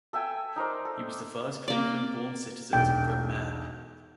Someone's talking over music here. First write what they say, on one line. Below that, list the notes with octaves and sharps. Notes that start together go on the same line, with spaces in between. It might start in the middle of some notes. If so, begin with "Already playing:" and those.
He was the first Cleveland-born citizen to become mayor.
A4 E5 G5 G#5
D#4 A#4 C5 D5
A4
A#3 D5
E1 B1 G5